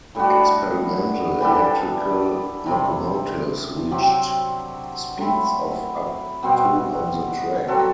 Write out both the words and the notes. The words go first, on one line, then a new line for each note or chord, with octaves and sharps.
Experimental electrical locomotives reached speeds of up to on the track.
A2 G3 D4 F#4
E3 G3 D4 A4
C3 G3 C4
C3 F#3 C4 G4
A2 F#3 C4 E4
B2 G3 C4 F#4
F#3 C4 F#4 A4